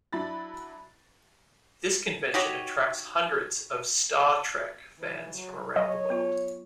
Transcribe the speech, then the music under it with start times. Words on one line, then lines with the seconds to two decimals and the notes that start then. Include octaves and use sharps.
This convention attracts hundreds of "Star Trek" fans from around the world.
0.13 F#3 D4 E4 B5 A6
2.34 D#4 F#4 G4 C#5
4.99 D#2 E3
5.33 F#3
5.76 F#3 C#5 D#5
6.10 B3 F4